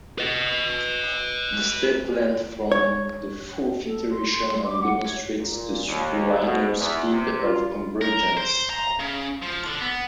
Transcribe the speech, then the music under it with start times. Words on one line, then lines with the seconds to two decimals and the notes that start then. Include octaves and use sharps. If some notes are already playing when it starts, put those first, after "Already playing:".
The step length from the fourth iteration on demonstrates the superlinear speed of convergence.
0.18 B4 D#5
2.72 C#5
3.84 A4
4.10 C6
4.27 C6
4.64 D6
4.82 F#5
5.00 C#5
5.38 A#2
5.86 D#2
6.42 B2
6.78 E2
7.10 C3
7.42 F4
8.01 A#4
8.37 C5
8.70 A#5
9.00 C#3
9.43 F3
9.66 D3
9.81 B3